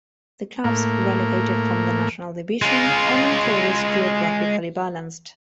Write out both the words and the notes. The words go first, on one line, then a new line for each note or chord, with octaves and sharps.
The clubs relegated from the national division are not always geographically balanced.
A2 A#3
G#3 F4